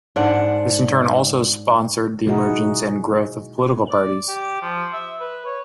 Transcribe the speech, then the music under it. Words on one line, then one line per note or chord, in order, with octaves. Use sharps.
This in turn also sponsored the emergence and growth of political parties.
G#2 D4 F#5
B2 G#3 D#4 E4 F#4 G#4
D5
G4
F3
E5
B4
C#5